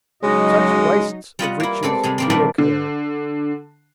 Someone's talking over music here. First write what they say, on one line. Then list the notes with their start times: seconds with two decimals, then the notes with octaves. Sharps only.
Such wastes of riches do occur.
0.23 C#3 F#3 G#3 D#4 F#4 D#5
1.39 G3 F4 D#5 F#5
1.60 A#3 E4
1.83 G#3 C4 A4 D5
2.03 C3 G3 G#4
2.18 G3 A#3 C4
2.30 A#2 D#3 G3 A3 A#3 D4
2.58 D3